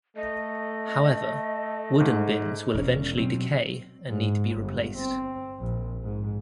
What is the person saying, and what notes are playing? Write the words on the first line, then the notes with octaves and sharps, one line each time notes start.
However, wooden bins will eventually decay and need to be replaced.
A3 D#5
G#2
E1 C#4
B2 F#3 C4
G#2
G1
C4
A#1
G#2